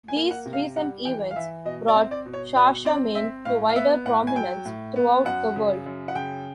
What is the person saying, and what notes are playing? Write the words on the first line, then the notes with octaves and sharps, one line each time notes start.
These recent events brought Shashamane to wider prominence throughout the world.
G#5
A#3
F#5
C3
F5
G3 F#5
E3 G5
F5
E3 E5
B2 D#5
D5
C4
D5
B2
C#5
B2 D5
C4 D5
C4 E5
A2 F5
F5
B3 E5
A2 F#5
G#5
F#3 G5
A2
B3
F#2 F#5
C#3
F#2
F#5
C#3 G5